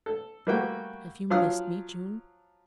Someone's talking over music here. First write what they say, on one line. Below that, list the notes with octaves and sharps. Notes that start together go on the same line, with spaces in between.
"Have you missed me, June?"
A4
G3 A3 A#3 F#4 G5
F3 F#3 F5 D#6 F6